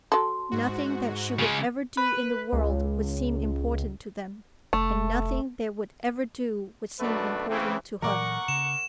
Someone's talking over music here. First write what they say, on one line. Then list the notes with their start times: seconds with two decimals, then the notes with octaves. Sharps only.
Nothing that she would ever do in the world would seem important to them, and nothing they would ever do would seem important to her.
0.12 F#3 A4 C6
0.52 G#2 F#4
1.39 C#3 G#3
1.97 B4
2.53 C#2
4.73 F1 A3
7.00 B1 F#2 A3 D4 F#4 B4
7.50 C#3 E3 C4
8.02 A#2 E3 F#3 A#4 D5 F#5 C#6
8.48 C#3 E7